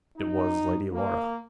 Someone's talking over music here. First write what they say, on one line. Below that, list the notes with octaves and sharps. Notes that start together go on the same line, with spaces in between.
"It was Lady Laura."
D#4
A#3